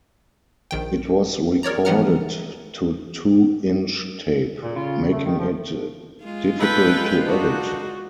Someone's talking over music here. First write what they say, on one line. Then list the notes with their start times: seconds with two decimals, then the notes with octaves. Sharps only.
It was recorded to two-inch tape, making it difficult to edit.
0.71 A#1 D#3 G5
1.63 A#4 C#5 D5 A#5
1.85 E3 F3 B3 F#5 A#5 F6
4.63 A#2
4.76 C#3 F4
5.10 A3
5.26 D#3
5.39 F3
6.24 G#3 F4
6.59 A4 B4 G5 B5
7.26 D4 D#4 F#4